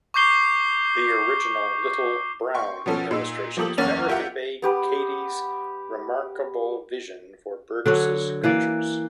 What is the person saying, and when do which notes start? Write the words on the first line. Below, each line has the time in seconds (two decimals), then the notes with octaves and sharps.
The original Little, Brown illustrations better convey Cady's remarkable vision for Burgess' creatures.
0.14 C#6 D6 G6 C7 G7
2.55 G5 C6 C#6
2.86 B2 F3 C#4 A4
3.11 A#2 D#4 E6
3.57 F3 A#3 G4 A4 D#6 F#7
3.77 F#1 E2 A#3 C#4 A6 F7
4.09 F4 G4 A#4 E5 F#5
4.62 B3 G4 B4
7.86 D3 F#3 C#5
8.43 E3 A#3 D5